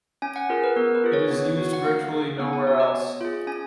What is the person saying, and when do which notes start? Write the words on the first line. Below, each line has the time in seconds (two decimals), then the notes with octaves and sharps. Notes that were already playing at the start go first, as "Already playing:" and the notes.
It is used virtually nowhere else.
0.22 C#4 G#5
0.36 F#5
0.50 F4 G#4 A#4
0.64 B4
0.76 B3 A#4
0.95 B4
1.04 F4 G#4
1.13 C#5
1.31 B3 B4
1.58 F#4
1.73 F#5
1.85 A#3 F5
2.13 D#4 G#4
2.39 B3 F#5
2.53 G#5
2.67 F#4 C#5
2.80 D#5
2.93 B3
3.21 F4 G#4
3.47 C#4 G#5